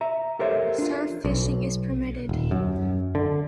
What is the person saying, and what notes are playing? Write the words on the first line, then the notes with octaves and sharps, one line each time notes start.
Surf fishing is permitted.
E5 A#5
G4 A4 A#4 C5 C#5 E5
D4 F4
B1
D#1
F#2
D3